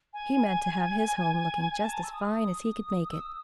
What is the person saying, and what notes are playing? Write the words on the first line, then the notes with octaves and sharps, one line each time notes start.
He meant to have his home looking just as fine as he could make it.
G#5
A5
A#5
E6
D#6
E6
D#6